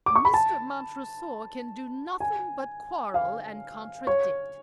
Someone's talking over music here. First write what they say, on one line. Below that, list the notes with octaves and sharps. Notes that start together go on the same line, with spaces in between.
"Mr. Montresor can do nothing but quarrel and contradict."
D6
C#6
B5
A5
G#5
F5
C#5